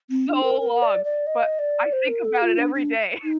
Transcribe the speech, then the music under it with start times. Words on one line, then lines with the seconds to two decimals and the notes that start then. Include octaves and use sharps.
so long, but I think about it every day.
0.09 C4
0.27 D4
0.43 A#4
0.60 A#4
0.82 D5
1.04 D5
1.26 D#5
1.58 D5
1.92 C5
2.08 A#4
2.24 A4
2.42 F4
2.57 D4
2.74 D4
3.23 D#4